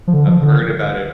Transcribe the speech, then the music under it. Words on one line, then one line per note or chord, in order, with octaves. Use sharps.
I've heard about it.
F3
D3
F3
D3